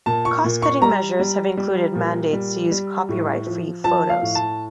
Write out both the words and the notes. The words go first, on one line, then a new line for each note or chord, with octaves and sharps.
Cost-cutting measures have included mandates to use copyright free photos.
A#2 A5
C#6
A#2
C#6
G3 A#5
G3
G3
A#2
G3
G3
A2
F3
F3 A5
F5
A2
A5